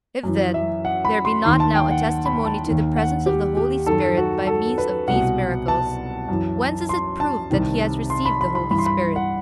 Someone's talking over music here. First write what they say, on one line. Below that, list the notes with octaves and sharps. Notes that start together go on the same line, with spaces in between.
If, then, there be not now a testimony to the presence of the Holy Spirit by means of these miracles, whence is it proved that he has received the Holy Spirit?
F#2 E3
E5
F#5
B5
C6
D#2 D#3 C6
A5
G5
F#5
B5
A5
D#2 D#3
F#5
G4
G4
F#2 D#3 A4
F#4
A4
B4
C2 B2 F#5
A5
F#2 E3
C6
A5
C2 C3 D#3
C6
B5
B5
B5
G2 E3 B5
C6
B5
F#5